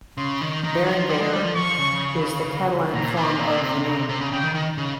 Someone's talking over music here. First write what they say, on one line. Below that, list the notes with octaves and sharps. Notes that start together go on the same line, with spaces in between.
Berenguer is the Catalan form of the name.
C#3 C6
D#3
D#3 A#5
F3
G3 C6
G#3
G3
F3
F3 C#6
C#3
A#2 A#5
C3
A#2 A#5
C3
C#3 A#5
C3
C3
C#3
C#3 G5
D#3
D#3
C#3